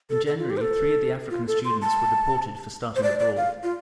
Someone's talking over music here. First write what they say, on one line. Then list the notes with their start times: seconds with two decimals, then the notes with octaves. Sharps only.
In January, three of the African students were deported for starting the brawl.
0.10 A4
0.27 A4
0.39 F4
0.50 G4
0.57 C5
0.61 A4
1.31 F4
1.47 A4
1.65 C6
1.82 A5
2.96 C5
3.03 D5
3.19 D5
3.37 F5
3.63 F4